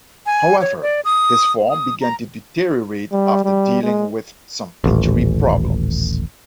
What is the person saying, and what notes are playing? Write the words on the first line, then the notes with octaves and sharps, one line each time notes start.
However, his form began to deteriorate after dealing with some injury problems.
G#5
C#5
D5
D#6
D#6
A#5
G3
G3
G#3
D#1 A1